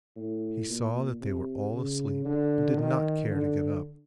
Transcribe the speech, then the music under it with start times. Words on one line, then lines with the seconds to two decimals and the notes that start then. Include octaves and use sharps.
He saw that they were all asleep, and did not care to get up.
0.16 A2
0.69 A#2
1.21 C3
1.74 C#3
2.25 D3
2.77 D#3
3.30 D3